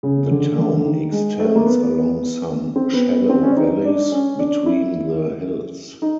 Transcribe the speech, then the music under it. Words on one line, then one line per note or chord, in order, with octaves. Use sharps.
The town extends along some shallow valleys between the hills.
C#3
D3
D3
D3
D#3
G#3
A3
A#3
B3
C4
B3
B3
C4
C#4
D4
D#4
D4
C#4
D4
E4
D#4